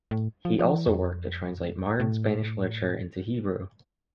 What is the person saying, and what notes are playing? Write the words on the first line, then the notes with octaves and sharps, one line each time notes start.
He also worked to translate modern Spanish literature into Hebrew.
A2
F3
F3
E3
F2
A2